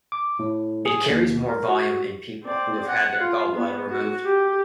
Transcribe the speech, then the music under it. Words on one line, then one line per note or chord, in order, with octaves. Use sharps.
It carries more volume in people who have had their gallbladder removed.
D6
A2
G#4
D#2
A#4
F#4
C4 D5
F#5
F4
B3
F#4
G4